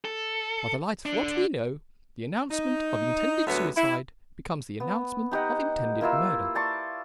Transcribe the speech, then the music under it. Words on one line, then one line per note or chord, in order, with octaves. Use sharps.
By the light of what we know, the announcement of intended suicide becomes the announcement of intended murder.
A4
D3 D4
D#4
D2 F#3 G3 B3 C#5 E5
E4
B3
D#4 G4 D#5 F#5
A#3 E4 F4 E6
D5 A5 C6 C#6